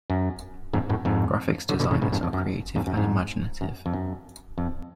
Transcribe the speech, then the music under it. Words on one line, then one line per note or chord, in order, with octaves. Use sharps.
Graphics designers are creative and imaginative.
F#2
F2 G#2
F#2 A2
F2 G#2
D3 F#3
B2 D3
A2 C#3
G#2 B2
F2 G#2
F2
F#2
F2 G#2
F#2
F2 G#2
F#2
F2
F#2
F2